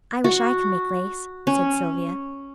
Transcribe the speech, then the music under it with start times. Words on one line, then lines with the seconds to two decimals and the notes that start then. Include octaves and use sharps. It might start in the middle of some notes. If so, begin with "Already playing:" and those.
"I wish I could make lace," said Sylvia.
0.24 F#4
1.47 C#4